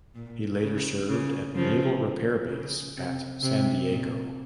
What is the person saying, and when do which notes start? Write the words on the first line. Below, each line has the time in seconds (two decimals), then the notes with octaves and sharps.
He later served at naval repair base at San Diego.
0.15 A#2
0.62 C#3
1.09 C#3
1.55 C#3 F3
2.49 C#3
2.96 C3
3.43 C3
3.90 A#2